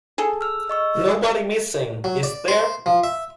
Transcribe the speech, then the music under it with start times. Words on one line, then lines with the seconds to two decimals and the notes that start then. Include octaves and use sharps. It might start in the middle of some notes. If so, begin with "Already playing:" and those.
Nobody missing, is there?
0.18 G#4 A4
0.41 E6 F6
0.69 D#5 C#6 E6
2.04 F#3
2.23 D5
2.48 C5
2.86 F3
3.04 E5